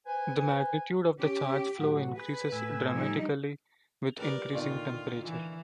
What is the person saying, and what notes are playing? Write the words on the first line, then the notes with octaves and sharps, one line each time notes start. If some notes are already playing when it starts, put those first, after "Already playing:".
The magnitude of the charge flow increases dramatically with increasing temperature.
B4 C5 G#5
C#4 G4
A2 F#3 F#4
G#4 B4
A2 G#5 E6
F3 G3 D#4
G3 A#4 B4 D5
D2 A#2 D#3 F4
E3